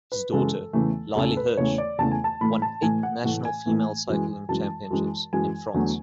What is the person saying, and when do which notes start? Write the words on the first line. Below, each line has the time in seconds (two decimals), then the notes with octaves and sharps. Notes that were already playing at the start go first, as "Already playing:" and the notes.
His daughter, Lyli Herse, won eight national female cycling championships in France.
0.12 B4
0.32 F#2 C#3 E3 G#3 A4
0.73 E2 C#3 E3 A3
1.15 E2 C#3 E3 A3 A4
1.37 B4
1.57 E2 C#3 E3 A3 C#5
1.78 D5
1.98 E2 C#3 E3 A3 A5
2.11 G#5
2.24 A5
2.41 A2 E3 A3 B5
2.62 A5
2.82 A2 E3 A3 G#5
3.03 F#5
3.24 A2 E3 A3 F#5
3.45 G#5
3.66 A2 E3 A3
4.07 F#2 E3 G#3
4.49 F#2 E3 G#3 A5
4.91 F#2 E3 G#3
5.33 F#2 E3 G#3 G#5
5.74 E2 D3 F#3 A3